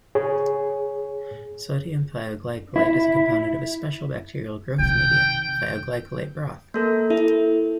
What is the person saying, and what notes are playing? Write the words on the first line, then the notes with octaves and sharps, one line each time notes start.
Sodium thioglycolate is a component of a special bacterial growth media : thioglycolate broth.
G#4 C#5
E4
C3 D#3 G5
A#3 A4 A#4
E4 A4